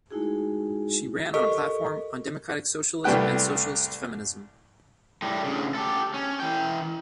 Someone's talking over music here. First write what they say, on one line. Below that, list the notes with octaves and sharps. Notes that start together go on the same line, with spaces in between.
She ran on a platform on democratic socialism and socialist feminism.
G#3 A3 D#4 E4 F#4 G#4
G4 A4 A#4 D#5 C#6
C2 G3 A3 B4 G5 F#6
A2 G3
D2 C#3
G4 A4
C#4
E3 G5